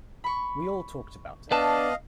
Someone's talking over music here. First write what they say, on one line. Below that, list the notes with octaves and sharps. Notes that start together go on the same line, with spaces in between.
We all talked about it.
B5 C#6
B3 D4 B4 D#5 F5 A5